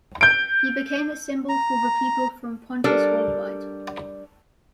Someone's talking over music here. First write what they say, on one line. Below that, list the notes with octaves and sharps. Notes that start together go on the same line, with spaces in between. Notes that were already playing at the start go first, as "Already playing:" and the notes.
He became a symbol for the people from Pontus worldwide.
G6 D7
A#5
G3 D4 A4 A#4